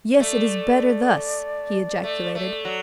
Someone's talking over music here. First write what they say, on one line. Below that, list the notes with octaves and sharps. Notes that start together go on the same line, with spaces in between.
"Yes, it is better thus," he ejaculated.
C#5
A3 D5
A3
A3
F#3